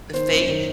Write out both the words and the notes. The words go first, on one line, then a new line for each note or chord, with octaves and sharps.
if they
D#3 C5
F#2
D#3